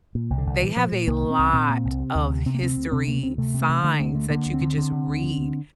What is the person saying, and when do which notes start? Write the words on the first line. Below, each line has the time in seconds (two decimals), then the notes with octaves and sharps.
they have a lot of history signs that you could just read.
0.15 A#2
0.30 C2
0.38 D3
0.46 C2
0.61 A#2 E3
0.76 A#2 F3
0.92 A#2
1.07 C2 A#3
1.23 A#2
1.30 C4
1.38 C2
1.53 A#2 C4
1.69 A#2
1.85 C2
1.99 C3
2.15 D2
2.30 C3
2.46 C3 C4
2.55 A#3
2.61 D2 C4
2.77 D2
2.92 C3 C4
3.07 D2 A#3
3.22 D2 C4
3.38 C3 A3
3.54 C3
3.61 A3
3.69 C3
3.84 D3 A3
3.99 D2 A3
4.14 D3 A3
4.30 D3 A#3
4.46 D2
4.54 C4
4.61 D3
4.77 D3
4.92 D3
5.07 D2
5.23 D3
5.38 D2